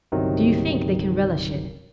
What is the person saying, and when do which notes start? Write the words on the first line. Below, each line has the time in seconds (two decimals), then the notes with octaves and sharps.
Do you think they can relish it?
0.12 G1 C2 C3 D#3 F#3